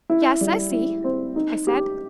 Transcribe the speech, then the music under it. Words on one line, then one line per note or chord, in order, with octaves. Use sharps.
"Yes, I see," I said.
E4
G3
E4
C4
D#4
G4